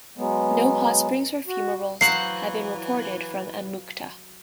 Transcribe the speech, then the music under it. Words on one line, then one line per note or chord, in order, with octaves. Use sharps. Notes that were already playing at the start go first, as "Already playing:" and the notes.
No hot springs or fumaroles have been reported from Amukta.
F#3 G#3 B3
F#4
E3 F#3 C5 F5 F#5 C7